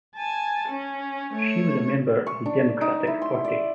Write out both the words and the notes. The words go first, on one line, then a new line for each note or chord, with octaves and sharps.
She was a member of the Democratic Party.
G#5 A5
C#4
A3 C#5
C#6
D4
D#4
E4
C6
D5